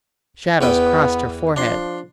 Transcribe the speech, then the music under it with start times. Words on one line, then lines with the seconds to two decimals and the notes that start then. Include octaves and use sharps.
Shadows crossed her forehead.
0.61 E2 B3 B4 G5
1.56 F3 D4 C6